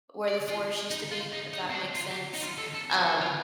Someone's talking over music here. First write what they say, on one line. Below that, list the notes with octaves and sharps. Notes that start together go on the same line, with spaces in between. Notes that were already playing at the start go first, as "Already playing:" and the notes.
where the forest used to be, if that makes sense. Um
D5
F4
D#4
F4
D#4
D#4
C4
D4
F4
G4
D#4
F4
A4
A4
A4
F4